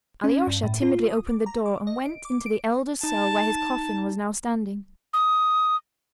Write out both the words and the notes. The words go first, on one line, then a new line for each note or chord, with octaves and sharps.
Alyosha timidly opened the door and went into the elder's cell where his coffin was now standing.
C#4
G2
A2
F4
D#6
D6
A#5
D6
D#5
D7
D6
D7
D#4 A5
D#6